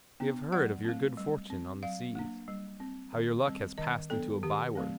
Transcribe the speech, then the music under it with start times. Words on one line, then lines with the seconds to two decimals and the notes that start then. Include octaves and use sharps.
We have heard of your good fortune on the seas--how your luck has passed into a byword.
0.20 B3 D4
0.52 F#3 F#5
0.85 A3 C4
1.17 G3
1.50 C4
1.83 F#3 F5
2.15 A#3 D4
2.48 G3
2.80 C4
3.13 D#3
3.45 G3 C4
3.78 D#3 D#5
4.10 F#3 B3 D4 A4
4.43 D#3 G4
4.75 F#3 A3 C4